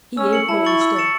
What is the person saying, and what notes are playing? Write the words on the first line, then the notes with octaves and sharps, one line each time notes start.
He ain't no oyster.
C#4 E6
C#7 F#7
E4 A5
C#6 A6 F#7
E6
A6 C#7 E7